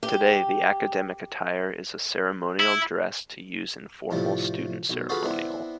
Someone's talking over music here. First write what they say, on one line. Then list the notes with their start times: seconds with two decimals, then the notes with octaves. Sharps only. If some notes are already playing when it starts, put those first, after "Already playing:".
Today the academic attire is a ceremonial dress to use in formal students ceremonial.
0.03 G4
2.60 E4
4.11 A2 C3 F3 G3
4.90 B1
5.09 F4 F#4 G#4 A4 B4 F5
5.24 B3 C4 D4 E4